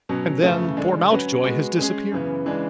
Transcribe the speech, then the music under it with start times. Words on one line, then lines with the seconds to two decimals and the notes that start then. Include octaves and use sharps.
And then poor Mountjoy has disappeared.
0.09 B2 F#3 C#4
0.43 F#2 C#3 E3 A3
0.77 D3 G#3 D4
1.11 F#3 C#4 F#4 B4
1.44 G#3 B3 F#4
1.78 G#3 C#4 G#4
2.12 F#2 C#3 E3 B3
2.46 C#3 E3 G#3 D4